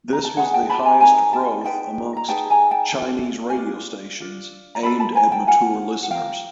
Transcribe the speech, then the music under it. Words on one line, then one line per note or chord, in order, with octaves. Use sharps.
This was the highest growth amongst Chinese radio stations aimed at mature listeners.
A#5
A5
D#4 G#4 B4 F#5 G#5
G5 A5
A5 B5
G#5 A#5
D#4 G#4 B4 G#5 A#5
G5 A5
D#4 G#4 B4 G5 A5
A#5
D#4 G#4 B4 G5 A5
G#5 A#5
G5 A5
D4 F4 A4
G#5
D4 F4
D4 F4
A#5
D4 F4 A4 A5 B5
A5 B5
G#5 A#5
G5 A5
F4 A#4 F#5 G#5
F#5
F4 A#4 F5 G5